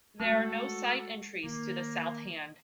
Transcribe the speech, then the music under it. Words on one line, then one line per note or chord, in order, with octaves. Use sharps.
There are no side entries to the South hand.
G#3 A3 F#4 A4 A5
D#3 A#3